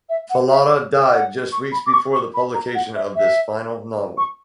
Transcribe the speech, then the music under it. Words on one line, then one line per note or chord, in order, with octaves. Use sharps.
Fallada died just weeks before the publication of this final novel.
E5
F#5
E5
F#5
C#6
B5
D6
C#6
C#6
B5
A#5
F#5
E5
E5
C#6